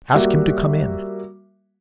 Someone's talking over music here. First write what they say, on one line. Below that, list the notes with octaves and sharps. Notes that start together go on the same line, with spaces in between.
Ask him to come in.'
G3 A#3 F#4 E5